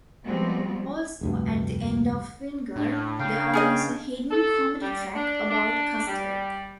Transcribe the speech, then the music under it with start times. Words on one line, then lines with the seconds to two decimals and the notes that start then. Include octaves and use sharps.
Also, at the end of "Whinger" there is a hidden comedy track about custard.
0.24 F3 G3 G#3 B3 C4 F#4
1.21 F1 D2 G2
2.76 A2 D4
3.20 C#3 F5 G5
3.53 C#4 G#4 D#5
4.31 A4
4.81 G3
5.14 D4
5.49 D4
6.06 G3